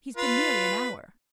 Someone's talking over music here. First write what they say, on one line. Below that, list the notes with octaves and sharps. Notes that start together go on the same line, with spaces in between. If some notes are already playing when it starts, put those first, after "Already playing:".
He's been nearly an hour.
F4 B4